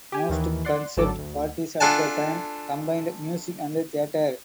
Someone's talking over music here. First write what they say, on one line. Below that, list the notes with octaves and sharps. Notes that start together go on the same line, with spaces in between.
Most concert parties at the time combined music and theatre.
G4 G#5
D#2 D#3 E3
D5 F#5 C6
G#1 D2 F#3 A4 D6
D2
A3 D4 F4 F#5 G#5 A5